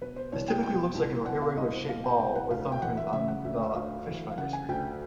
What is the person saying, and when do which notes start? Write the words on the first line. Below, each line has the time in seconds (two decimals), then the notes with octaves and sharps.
This typically looks like an irregularly shaped ball or thumbprint on the fishfinder screen.
0.01 B2 B4
0.16 C5
0.32 C2 C#5
0.48 G5
0.63 B2 G5
0.95 C2
1.26 B2 F#5
1.42 F5
1.57 C2 D#5
1.73 C5
1.88 B2 F5
2.04 G5
2.19 C2 G5
2.35 F#5
2.51 D2 F5
2.72 G5
2.82 E3 F#5
2.97 E5
3.13 C#3 E5
3.28 F#5
3.45 D2 E5
3.60 E5
3.75 D2 F5
4.07 E3
4.32 F5
4.38 C#3 F#5
4.53 G#5
4.69 D2 G5